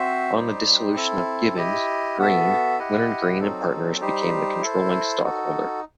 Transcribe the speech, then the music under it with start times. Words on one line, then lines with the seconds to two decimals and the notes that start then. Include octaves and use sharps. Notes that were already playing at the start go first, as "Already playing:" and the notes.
On the dissolution of Gibbons, Green; Leonard Green and Partners became the controlling stockholder.
Already playing: C4 F#4 C5 E5
0.35 G3 D#4 G4 C5
0.95 C4 E4 A4
1.56 E4 G4 D#5
2.18 B3 F#4 A4 E5
2.78 E4 G4 D#5 F#5
3.40 F#3 C4 D#4 A4
4.00 G3 D#4 G4 C5
4.62 E4 A4 C5
5.24 D#4 F#4 A4